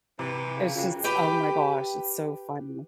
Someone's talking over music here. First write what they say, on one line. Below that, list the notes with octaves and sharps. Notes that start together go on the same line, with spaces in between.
it's just oh my gosh, it's so funny.
C3 E3
C#3
F#2 C#3 F4 G5
G4 B4 G5